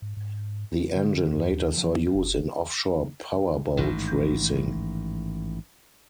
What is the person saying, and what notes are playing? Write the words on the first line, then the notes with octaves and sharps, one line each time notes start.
The engine later saw use in offshore powerboat racing.
G#2
G#2
D3
F#2
D#2
F3
F#1
A1 G#2 D#3